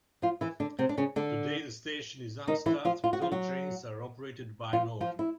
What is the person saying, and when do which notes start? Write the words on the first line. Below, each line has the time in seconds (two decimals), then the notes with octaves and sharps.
Today the station is unstaffed with all trains are operated by Northern.
0.22 F3 F4
0.41 E3 E4
0.60 D3 D4
0.79 C3 C4
0.89 D4
0.98 C#3 C#4
1.16 D3 D4
2.47 D#3 D#4
2.66 E3 E4
2.85 F3 F4
3.04 F4
3.13 F#4
3.22 F3 F4
3.32 F#3 F#4
4.73 F3 F4
5.01 F3 F4
5.19 E4